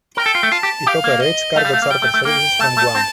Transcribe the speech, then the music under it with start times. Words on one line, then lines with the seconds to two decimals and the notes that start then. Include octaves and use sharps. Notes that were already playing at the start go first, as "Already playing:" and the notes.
It operates cargo charter services from Guam.
0.17 A#4 G5
0.26 A4
0.35 F4
0.43 A3
0.52 F4 A5
0.63 G4
0.87 G4 F5
1.04 A#3
1.21 D#5
1.56 A3 F5
1.65 G3
1.73 A3
1.82 A#3
1.90 G3 G5
2.02 A3
2.14 A3
2.25 A#3 G5
2.59 A3 A5
2.77 A3
2.95 C4